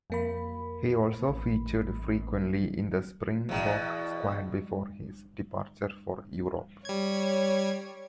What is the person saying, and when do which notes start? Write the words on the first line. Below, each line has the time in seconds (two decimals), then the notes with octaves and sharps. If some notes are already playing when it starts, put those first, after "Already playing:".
He also featured frequently in the Springbok squad before his departure for Europe.
0.10 F2 A#3 B5
1.29 A1
3.49 E2 B2
6.85 G3 C#5 G#6